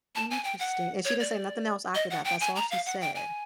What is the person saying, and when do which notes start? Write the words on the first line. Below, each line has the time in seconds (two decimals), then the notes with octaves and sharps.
Interesting, and she didn't say nothing else after that, that's all she said?
0.15 A5
0.31 G#5
0.44 G5
0.59 F#5
1.05 C#5
1.20 D5
1.95 D#5
2.10 F#5
2.25 G5
2.41 G#5
2.56 A#5
2.71 F5
2.86 F#5
3.01 G5
3.15 G#5